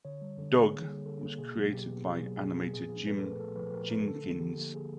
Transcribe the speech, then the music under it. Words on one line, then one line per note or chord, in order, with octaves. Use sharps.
"Doug" was created by animator Jim Jinkins.
D3 C#5
G3
D3
A#3
D3 G#4
G3
D3 A4
A#3
B2 G#4
F#3
B2 G4
B3
B2 G#4
F#3
B2 G#4
B3
A#2 G#4
F3 G#4
A#2 B4
A4
A3 A#4
A#2 A4
F3 B4
A#2 A#4
A3 A#4
D3 A4
F3
D3 G4
A#3
D3 G#4